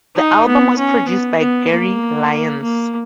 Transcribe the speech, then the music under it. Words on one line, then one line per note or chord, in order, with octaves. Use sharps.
The album was produced by Gary Lyons.
D#4
B3
C#4
B3
B3
A#3
A#3